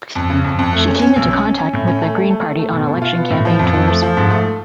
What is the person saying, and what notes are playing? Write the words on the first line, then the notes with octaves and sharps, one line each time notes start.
She came into contact with the Green party on election campaign tours.
F2
C#3
F2
F2
A3
C#4
C#4
B1
C#4
C#4
C#4
A2
C#4
A3
A3
A3
A3
A3
B2
B2
F4
B3
A2
F3
F2
F3
A3
F3
G#2
A3